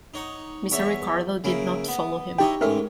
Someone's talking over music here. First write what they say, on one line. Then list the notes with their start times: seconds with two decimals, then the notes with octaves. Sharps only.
Mr. Ricardo did not follow him.
0.14 D#4 C#5 F#5
0.72 E2 C#5 E5
1.44 C#3 A#3 E4
1.88 B3
2.38 D#4 E4 G4 C#5 D#5 G5
2.61 A1 G#2 C#4 A4 A#4 E5